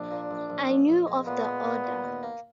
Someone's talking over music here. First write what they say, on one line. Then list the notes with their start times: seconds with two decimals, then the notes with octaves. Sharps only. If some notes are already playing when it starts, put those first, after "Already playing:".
I knew of the order.
Already playing: A#1 D4
0.11 A#2
0.31 A#1
0.50 A#1
0.69 A#1
0.89 A#1
1.07 G#3
1.26 A#2 B3
1.45 G#3
1.65 A#2
1.84 A#2
2.04 D#2
2.23 A#3